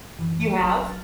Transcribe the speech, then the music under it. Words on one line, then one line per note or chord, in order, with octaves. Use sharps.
You have?
F#2 E3
G1 F#3 F6 A6